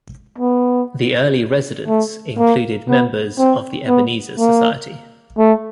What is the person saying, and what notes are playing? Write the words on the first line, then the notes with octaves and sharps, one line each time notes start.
The early residents included members of the Ebenezer Society.
B3
A3
A#3
B3
C4
B3
A#3
A3